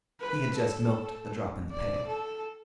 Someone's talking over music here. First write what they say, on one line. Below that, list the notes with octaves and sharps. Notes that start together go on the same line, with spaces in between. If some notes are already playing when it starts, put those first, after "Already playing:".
He had just milked a drop in the pail.
B4
A4
D5
A4